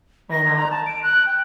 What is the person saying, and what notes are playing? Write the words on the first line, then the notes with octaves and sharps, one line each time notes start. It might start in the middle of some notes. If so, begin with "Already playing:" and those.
and a
A#6
A#5
A5
D7
F#6
G5